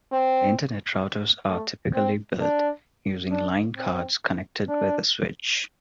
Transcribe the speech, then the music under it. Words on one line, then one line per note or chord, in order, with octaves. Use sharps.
Internet routers are typically built using line cards connected with a switch.
C4
A3
C4
D4
D4
C4
D4